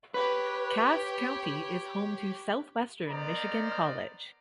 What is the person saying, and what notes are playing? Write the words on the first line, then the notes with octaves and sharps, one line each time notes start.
Cass County is home to Southwestern Michigan College.
G4 B4 C#5
B3 A#4 C5 D5 D#5 A#5